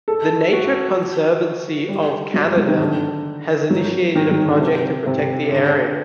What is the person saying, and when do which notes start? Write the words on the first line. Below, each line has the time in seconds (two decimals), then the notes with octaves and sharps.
The Nature Conservancy of Canada has initiated a project to protect the area.
0.08 A4
0.53 F#4
1.88 G3
2.34 F#3
2.46 G3
2.57 F#3
2.68 D#3
2.80 D3
3.70 F#3
4.15 D#3
4.31 F#3
4.45 D3
4.60 C3
5.06 C3
5.51 D3